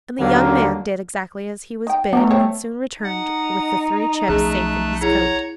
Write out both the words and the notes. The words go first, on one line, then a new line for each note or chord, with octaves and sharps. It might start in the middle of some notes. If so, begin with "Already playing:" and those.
And the young man did exactly as he was bid, and soon returned with the three chips safe in his coat.
D#2 D3 F#3 A#3
D#3 G5
A3 B3 D4 F#4 A#5
C4 A4 C#5
D#4 F#5
B1 F3 A3 C#4 G#4 A5 F#6
E4 G#4 C#5 F#5 A#5